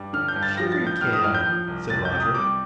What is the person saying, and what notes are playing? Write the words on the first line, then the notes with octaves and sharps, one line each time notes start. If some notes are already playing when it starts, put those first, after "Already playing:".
"Sure you can," said Roger.
Already playing: G2 G3
D3 F6
G6
G2
A6
F3 A#6
A6
A2
G6
A2 F6
D#6
A2 F6
G6
F3
C2
C2 A6
G6
C3
D#6
G3 D6